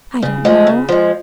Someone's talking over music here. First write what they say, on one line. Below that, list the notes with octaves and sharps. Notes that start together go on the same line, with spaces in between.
I don't know.
C#3
F3 G#3
C#3
F3 G#3